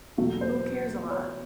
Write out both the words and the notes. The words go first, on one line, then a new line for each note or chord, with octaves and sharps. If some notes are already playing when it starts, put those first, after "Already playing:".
Who Cares a Lot?
E2 B2 F#3 A3
C5
C#5